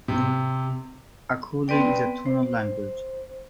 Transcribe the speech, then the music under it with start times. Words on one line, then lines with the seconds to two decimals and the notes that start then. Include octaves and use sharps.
Acoli is a tonal language.
0.08 C3
1.68 B3 C4 B4 D5 G5
2.26 C5